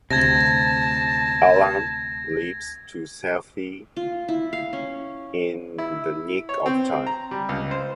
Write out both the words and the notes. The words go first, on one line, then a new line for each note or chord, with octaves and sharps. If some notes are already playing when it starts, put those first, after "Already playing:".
Alan leaps to safety in the nick of time.
D2 C3 A5 G#6 A#6
F4
E4
F5
C#4
E4
C#5
C4
A#5
G3
C#2
C5